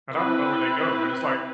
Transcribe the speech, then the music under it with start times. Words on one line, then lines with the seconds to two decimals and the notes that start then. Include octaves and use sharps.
and I don't know where they go, but it's like
0.13 C4 E4 B4